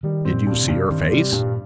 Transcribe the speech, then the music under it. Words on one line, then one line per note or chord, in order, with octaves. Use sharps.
"Did you see her face?"
D#3 G3
C4
A#2
G2
C3
G2
D#3 C4
C3 G3
G2 A#2